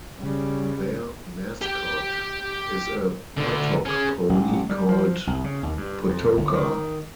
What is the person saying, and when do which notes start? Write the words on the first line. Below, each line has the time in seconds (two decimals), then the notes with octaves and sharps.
Their mascot is a pottok pony called "pottoka".
0.20 C#3 G3
1.62 G4 G5
3.38 D2 D3
3.86 C#4 G#4
4.29 A1
4.69 G3
4.89 F3
5.27 C2
5.44 C#3
5.63 D#2
5.77 G2
6.09 F2
6.37 G1
6.55 D#3